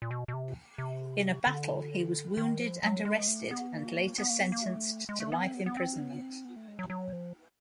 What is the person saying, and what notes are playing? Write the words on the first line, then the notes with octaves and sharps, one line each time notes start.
In a battle he was wounded and arrested and later sentenced to life imprisonment.
A#2
B2
B2
C3
C3
D3
D#3
F3
F#3
G#3
A3
B3
A#3
B3
A#3
B3
A#3
A3
G#3
A3
B3
C4
B3
B3
C4
B3
C4
B3
A3
G#3
F#3
F#3
F3